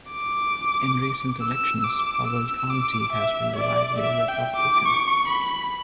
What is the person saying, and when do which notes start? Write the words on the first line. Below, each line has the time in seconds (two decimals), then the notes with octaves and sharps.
In recent elections, Powell County has been reliably Republican.
0.12 D6
1.42 E6
1.84 D6
2.28 E6
2.70 D6
3.13 E5
3.56 D5
3.99 E5
4.28 G5
4.57 D6
4.85 C#6
5.28 B5